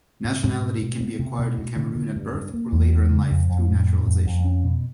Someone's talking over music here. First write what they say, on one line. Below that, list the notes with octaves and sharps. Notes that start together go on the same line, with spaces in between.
Nationality can be acquired in Cameroon at birth or later in life through naturalization.
G#2
G#2
B2
B2
B3
C3
B2
B2
D3
D3
G2
G2
A#3
E2
B3
C#3
F2
F2
A2
A2
F2
F2
C#4
B2